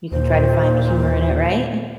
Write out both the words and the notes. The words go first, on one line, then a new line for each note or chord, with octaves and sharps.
you can try to find the humor in it, right?
D#2 A#2 C5